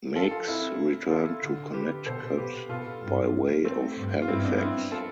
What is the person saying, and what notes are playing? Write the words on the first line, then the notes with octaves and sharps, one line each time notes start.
Meigs returned to Connecticut by way of Halifax.
F4 A4
F4 A4
C4 E4
F4 A4
D3
G4 B4
B2 A4 C5
B2 G4 B4
B2 F4 A4
G2
A3 C4
G2
F4
G2 C4 E4
B3 D4
C4 E4
F4 A4